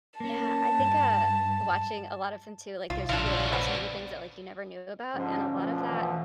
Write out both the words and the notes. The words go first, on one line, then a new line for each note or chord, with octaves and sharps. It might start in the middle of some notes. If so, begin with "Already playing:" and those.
Yeah, I think, uh, watching a lot of them too, like, there's you learn about so many things that, like, you never knew about, and a lot of that
A#3 C#4 A5
G2
C2 F4
A#1 C#3 D4 E4 F4 A4
C#2 D3 C#4 D5
B3 C4
G#2 D3 F3 C#4
D2 B2 F3
E3